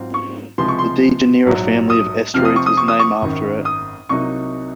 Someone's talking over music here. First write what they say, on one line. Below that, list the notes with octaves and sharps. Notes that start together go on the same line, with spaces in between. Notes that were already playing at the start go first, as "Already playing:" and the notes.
The Dejanira family of asteroids is named after it.
Already playing: G#2 F#3 C4 F4
C#6
C#2 C3 F3 G#3 C6
C#6
C6
A#1 G#2 F#3
D#6
F2 C3 F3 C4 F4 F6
D#6
C#6
D#6
C#6
D#6
C#6
G#1 F#2 D#3
D#6
C2 C3 F#3 A#3 D#4 C#6